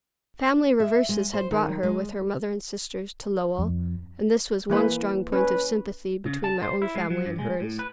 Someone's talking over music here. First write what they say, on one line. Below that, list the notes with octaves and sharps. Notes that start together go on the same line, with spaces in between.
Family reverses had brought her, with her mother and sisters, to Lowell, and this was one strong point of sympathy between my own family and hers.
E5
G#3
C5
D#3
G#3
F2
E3 A#3 B4
C#4 B4
C#3
A5
C5
E4
G#3
F#3
G2
G#3
A2
B4